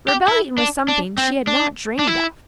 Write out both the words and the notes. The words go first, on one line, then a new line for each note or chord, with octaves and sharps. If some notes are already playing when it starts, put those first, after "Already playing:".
Rebellion was something she had not dreamed of.
G4
E4
D4
D4
C4
D4
D4
E4